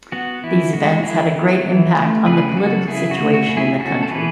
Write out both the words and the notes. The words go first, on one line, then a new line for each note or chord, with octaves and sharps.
These events had a great impact on the political situation in the country.
B3 F#4
E3 E4
G#3 F#4
E3 E4 G#4
B3
E3
A3
C#3 G#4 B4
F#3 F#4 A4
C#3 E4 G#4
F#4
A3
F#4
C#3
E4 G#4
C#4 F#4 A4
A4
E3 G#4 B4